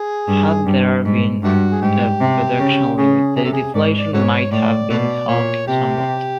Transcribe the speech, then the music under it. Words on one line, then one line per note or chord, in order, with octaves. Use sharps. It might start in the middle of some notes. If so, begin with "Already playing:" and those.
Had there been a production limit, the deflation might have been helped somewhat.
Already playing: G#4
G2
G2
G#2
G2 A3 D4 F#4
G#4
G#2 G4
C3
C#3
C#3 G#4
C3 G#4
A4
G#4
G#2 D5
D5
G#2 F#4 A4 C#5
A2 D5
B2 F#4 A4 D5
A#2 C#5
C3 G4